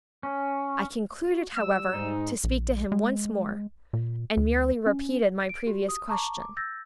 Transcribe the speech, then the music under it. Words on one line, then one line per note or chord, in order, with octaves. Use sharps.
I concluded, however, to speak to him once more, and merely repeated my previous question.
C#4
F#4
G3 E6
G#2 D#4
A#1
G#3
A#2
D2
C#4
D7
F#4 G4
D#6
A5 A#5 C#6 D6
D6
E6 G6 A6 A#6